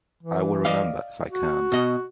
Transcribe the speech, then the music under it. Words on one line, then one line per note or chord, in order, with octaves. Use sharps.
I will remember, if I can!
E3
D5 D#5 F5
F#4
B2 D#5